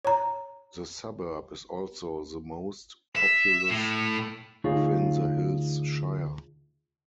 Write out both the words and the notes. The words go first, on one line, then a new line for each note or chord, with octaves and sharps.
The suburb is also the most populous within the Hills Shire.
C#5 A#5
E5
A2
D2 D#4 F4 G#4 C#5